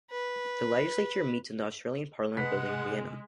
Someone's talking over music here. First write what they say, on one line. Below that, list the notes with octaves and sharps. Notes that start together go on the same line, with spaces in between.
The legislature meets in the Austrian Parliament Building in Vienna.
B4
C3 G#3 B4 F#5 B6